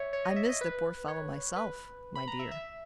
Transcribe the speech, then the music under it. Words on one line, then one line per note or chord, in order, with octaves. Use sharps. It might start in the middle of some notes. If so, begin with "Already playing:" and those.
I miss the poor fellow myself, my dear.
Already playing: C#5 E5
C#5
D#5
E5
D#5
B4
C#5
B4
B5
A#5
E5
E5